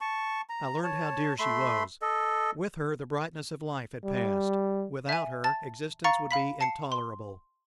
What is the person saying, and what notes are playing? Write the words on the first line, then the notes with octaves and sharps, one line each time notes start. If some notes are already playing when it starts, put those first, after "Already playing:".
I learned how dear she was. With her the brightness of life had passed; without her existence would be intolerable.
A5 C#6
A#5
C#5 A5
A3 B5 C6
A4 D#5
G3
E5 G#5
A5 A6
F5 A#5 C#6 A6 C#7
F5 B5 B6
A5 C7 C#7
C6